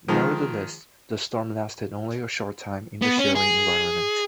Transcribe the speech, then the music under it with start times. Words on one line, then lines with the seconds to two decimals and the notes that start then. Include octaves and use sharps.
Nevertheless, the storm lasted only a short time in the shearing environment.
0.08 D#3 F3 G#3
3.02 B3
3.18 C#4
3.35 G#4